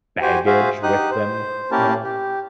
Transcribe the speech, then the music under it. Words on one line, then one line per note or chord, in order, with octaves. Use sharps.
baggage with them, you know.
F#4 G4 C5 G#5
F#4 G#4 C5 E5 F5
D#4 G4 D#6 F#6
C5
A#3 C#4 E4 G4 A#4 A5
G4